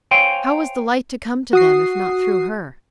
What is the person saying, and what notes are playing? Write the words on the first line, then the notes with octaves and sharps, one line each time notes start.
How was the light to come to them if not through her?
C5 C#5 F5 G5 G#5 C6
F#4 D#6 C7